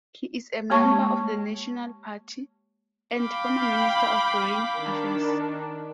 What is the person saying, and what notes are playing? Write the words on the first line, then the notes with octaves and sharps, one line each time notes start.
He is a member of the National Party, and former Minister of Foreign Affairs.
G#3 A#3 G4 C#5 A5 C#6
F5 G5 B5 D6
D#3 D4